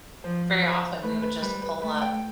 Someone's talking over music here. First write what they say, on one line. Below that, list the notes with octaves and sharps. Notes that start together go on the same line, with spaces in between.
Very often, we would just pull up
F3 C5
C5
A3 B4
B4
G3 B4
B4
A3 B4
G5